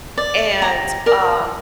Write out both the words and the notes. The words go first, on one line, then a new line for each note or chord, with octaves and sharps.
and, um
D5
G4 A#5
A#4 D5